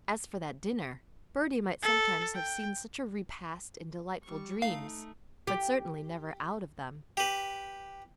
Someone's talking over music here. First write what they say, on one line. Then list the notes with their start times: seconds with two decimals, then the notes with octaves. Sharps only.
As for that dinner--Bertie might sometimes have seen such a repast in delightful dreams, but certainly never out of them.
1.83 A4
2.35 G5
4.24 G3 C#6
4.62 A3 D#4 F5
5.47 G4
7.17 G4 B4